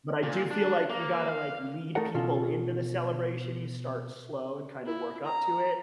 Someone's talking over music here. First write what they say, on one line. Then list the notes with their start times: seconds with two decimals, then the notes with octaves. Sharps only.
but I do feel like you gotta, like, lead people into the celebration, you start slow and kinda work up to it,
0.23 A#2
0.51 D4
0.90 A#3
1.29 F5
1.95 A3 D#4 A4 A#4 F#5
2.14 B2 C#4 F4 A4
4.86 E4
5.25 A#5